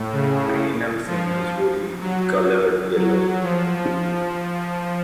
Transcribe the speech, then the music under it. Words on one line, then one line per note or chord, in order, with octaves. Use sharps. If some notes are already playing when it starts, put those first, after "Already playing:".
The anal fin is wholly coloured yellow.
Already playing: A2
C#3
F3
F#3
F#3
F3